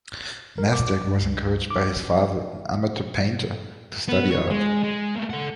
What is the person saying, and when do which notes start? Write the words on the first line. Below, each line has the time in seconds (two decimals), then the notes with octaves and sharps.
Mesdag was encouraged by his father, an amateur painter, to study art.
0.58 A#4
0.73 D6
1.07 G2
1.22 C#2
1.71 D6
4.08 B3
4.30 C#5
4.50 G#3
4.83 G#3
5.16 A3 A#3
5.30 A4 F#5